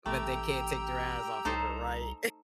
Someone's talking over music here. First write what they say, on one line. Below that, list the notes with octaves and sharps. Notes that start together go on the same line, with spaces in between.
but they can't take their eyes off of it, right?
A1 A3 G4 G5 A#5 E6
C2 D#4 A4 C5